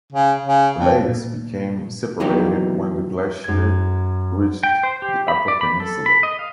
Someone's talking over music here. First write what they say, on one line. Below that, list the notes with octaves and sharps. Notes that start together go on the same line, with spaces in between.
The lakes became separated when the glacier reached the upper peninsula.
C#3
C#3
F2
A#2
A#2 E3 F#3 B3 D#4 G4
F#2 G#6
G5
C5
G4
B5
D5
B5
A4
B5
D#5
F5